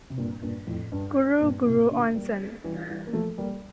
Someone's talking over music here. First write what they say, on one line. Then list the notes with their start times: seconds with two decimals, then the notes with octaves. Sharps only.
Guru Guru Onsen.
0.10 C3
0.18 G2 A#2
0.42 G2 A#2
0.67 F2 A2
0.92 G2
1.41 G2 A#2
1.65 A2 C3
1.90 A#2 D3
2.15 G3 A#3
2.64 E3 G3
2.89 E3 G3
3.07 A#3
3.13 F3 A3
3.38 G3 A#3